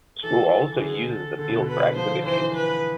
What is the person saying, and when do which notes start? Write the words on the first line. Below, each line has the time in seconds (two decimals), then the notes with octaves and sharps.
The school also uses the field for activities.
0.24 E3 A4
0.52 A4
0.72 E3
0.81 D3 G#4
1.10 A4
1.39 D3 A4
1.49 B2
1.58 D3
1.68 B4
1.96 F3 C5
2.11 D3
2.25 E3 C5
2.55 B4